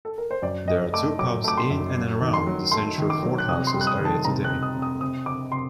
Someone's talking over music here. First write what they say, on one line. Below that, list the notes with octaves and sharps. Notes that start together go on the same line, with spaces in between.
There are two pubs in and around the central Fordhouses area today.
A4
A#4
C5
F#2 D5
F#2 D#5
A3 D6
F#3 D6
A3 D6
C6
F#2
F#3
D#3
C6
F#3
A3 C6
D#3
D6
F#3
F#6
C3 D#6
C6
G3
F#6
D#6
D#3
A5
C3 A#5
F#6
C3
D#6
C3
D#6
C3 D#6
C3 D6
C3 C6